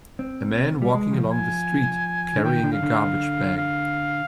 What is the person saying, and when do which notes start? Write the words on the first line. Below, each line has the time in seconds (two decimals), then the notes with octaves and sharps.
A man walking along the street carrying a garbage bag.
0.19 C4
0.82 G3
0.95 G#3
1.13 F3
1.32 G#5
2.36 D3
2.44 D#3 G5
2.63 D3
2.73 F5
2.82 D3
3.57 F5